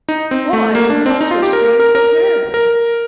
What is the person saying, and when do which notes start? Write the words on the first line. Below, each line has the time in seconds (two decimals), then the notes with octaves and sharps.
'Why did Walter scream so terribly?'
0.09 D#4
0.31 C4
0.53 A3
0.75 A#3
0.90 D4
1.06 C4
1.21 D#4
1.31 F4
1.42 G4
1.53 A#4
1.64 A#4
1.80 A#4
1.95 A#4
2.54 A#4